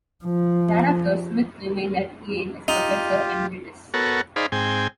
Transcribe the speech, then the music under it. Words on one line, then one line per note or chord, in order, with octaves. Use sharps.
Thereafter, Smith remained at Yale as professor emeritus.
F3
D#4 F4 G4
B3 F#4 A4 A#4 C#5
D#4 G#4 C5 D5 F5 B5
G#2 C4 G5 G#5